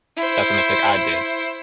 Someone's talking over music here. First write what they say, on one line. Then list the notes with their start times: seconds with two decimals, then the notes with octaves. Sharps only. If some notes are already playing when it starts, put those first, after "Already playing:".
That's a mistake I did.
0.17 E4 C5